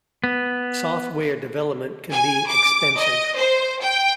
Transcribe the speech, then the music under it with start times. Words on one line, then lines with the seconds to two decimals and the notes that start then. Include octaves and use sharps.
Software development can be expensive.
0.24 B3
2.11 G#5
2.49 D6
2.97 D#5
3.37 C5
3.81 G5